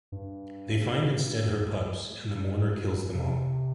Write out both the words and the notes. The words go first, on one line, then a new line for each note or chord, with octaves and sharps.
They find instead her pups, and the mourner kills them all.
G2
C3